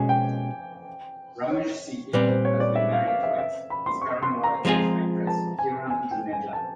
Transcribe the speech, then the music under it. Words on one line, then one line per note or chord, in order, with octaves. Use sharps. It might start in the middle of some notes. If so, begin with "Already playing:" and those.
Ramesh Sippy has been married twice; his current wife is actress Kiran Juneja.
Already playing: B2 G#3 C#4 F#4 G#5
G5
C#5
A#2 G3 C4 B4
C5
C#5
D5
E5
F5
F5
E5
E5
B5
C6
C#6
C6
A#5
F3 G#3 C4 F4 G#4
A5
G#5
G#5
G5
G#5
A5